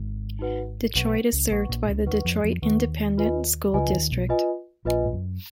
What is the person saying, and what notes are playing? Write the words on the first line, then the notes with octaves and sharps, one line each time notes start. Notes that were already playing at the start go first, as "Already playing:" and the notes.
Detroit is served by the Detroit Independent School District.
Already playing: G#1 G#2
D#4 F#4 B4 F#5
B1 B2 B4 F#5 C#6
C#2 C#3
A#1 A#2 B4 F#5 C#6
A#1 A#2
C#2 C#3
D#2 D#3 B4 F#5 C#6
F2 F3
F2 F3
D#2 D#3 B4 F#5 C#6
F4 B4 D#5 G#5
C#2 C#3 F4 B4 D#5 G#5
F3
D#2 D#3
B1 B2
F4 B4 D#5 G#5
A#1 A#2 F4 B4 D#5 G#5
G#2
F#2